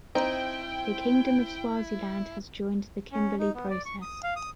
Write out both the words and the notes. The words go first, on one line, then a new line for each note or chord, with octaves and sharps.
The Kingdom of Swaziland has joined the Kimberley Process.
C4 D#4 E4 G5
C#4
D#4
B3
D5
C#6
D#6
F5
D#6